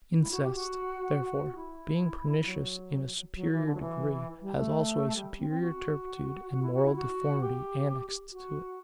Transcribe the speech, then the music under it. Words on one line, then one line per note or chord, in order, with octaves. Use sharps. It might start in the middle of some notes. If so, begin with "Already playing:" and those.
Incest, therefore, being PERNICIOUS in a superior degree, has also a superior turpitude and moral deformity annexed to it.
E4
F#4
G4
F#4
F#4
E4
F#3
F#3
E3
D3
F#3
E3
G3
A3
G3
C4
C4
F#4
F#4
E4
F#4
E4
F#4
G4
F#4